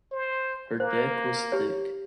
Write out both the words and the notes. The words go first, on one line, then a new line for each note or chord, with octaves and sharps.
Her deck was thick.
C5
A#3 C5
G4 C#5